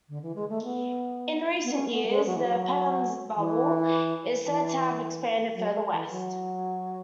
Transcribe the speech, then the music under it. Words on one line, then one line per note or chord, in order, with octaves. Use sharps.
In recent years, the "Penn bubble" is said to have expanded further west.
D3
E3
G#3
A3
B3
B3
C#4
B3
F#3
G#3
F#3
E3
F#3
E3
E3
F#3
G#3
E3
F#3